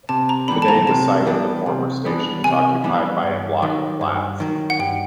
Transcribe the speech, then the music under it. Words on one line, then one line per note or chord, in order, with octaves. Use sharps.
Today the site of the former station is occupied by a block of flats.
C3 A5
A#5
E3 G3 B3 D4 B5
A5
A#5
C3 A5
E3 G3 B3 D4
C3
E3 G3 B3 D4
C3 G#5
E3 G3 B3 D4
G2
D#3 F#3
G2
D#3 F#3
F#5
G2 G5